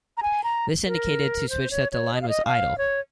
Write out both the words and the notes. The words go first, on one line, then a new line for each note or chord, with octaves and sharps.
This indicated to switch that the line was idle.
A#5
G#5
A#5
A#4
C5
C#5
C#5
D#5
F5
D#5
F5
C#5